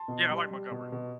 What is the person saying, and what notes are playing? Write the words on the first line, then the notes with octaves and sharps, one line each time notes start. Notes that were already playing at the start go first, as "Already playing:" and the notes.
Yeah, I like Montgomery.
Already playing: A5 C6
B2
G3
G3
B2
B2